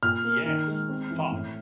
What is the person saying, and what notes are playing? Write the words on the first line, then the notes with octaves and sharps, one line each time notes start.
Yes, fuck!
A#2 F6
A#3
D#3
G#3
C4
E3
A2